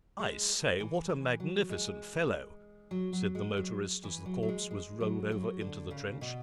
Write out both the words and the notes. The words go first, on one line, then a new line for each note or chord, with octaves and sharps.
'I say, what a magnificent fellow,' said the motorist as the corpse was rolled over into the trench.
G#3
E3
E3
F#3
G#3
F#3
F#3
G#3
F#3
E3
F#3
F#3
G#3
G#3
F#3
F#3
D3
C#3
B2